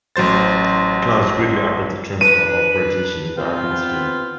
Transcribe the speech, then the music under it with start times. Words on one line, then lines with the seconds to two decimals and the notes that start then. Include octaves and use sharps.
Clouds greatly affect the transfer of radiation in the atmosphere.
0.16 A1 F#3 C5 A6
2.21 D4 B4 D#7
3.37 B3 C4 F4